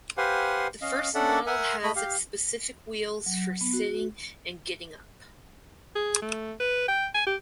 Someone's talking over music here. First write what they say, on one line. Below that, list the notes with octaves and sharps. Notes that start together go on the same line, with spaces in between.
The first model has its specific wheels for sitting and getting up.
G4 B4 C5 F5 F#5 G#5
C#4 D#5 F5
C#4 D4 A4 D5 E5 F#5
A#4 E5 F#5 G#5
A3 D#5 B5
G4 F5
F#3
B3
F#4
G#4
A3
B4
G5
G#5
G4